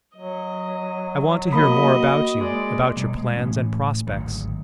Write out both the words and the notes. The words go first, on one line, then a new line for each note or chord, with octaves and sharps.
I want to hear more about you--about your plans and prospects.
F#3 D#5
A#3 F#4 D#5 B5
G#3 D5
B2 G3 A#3
G#3
A2 E3 C#4
G#1 D2 F#3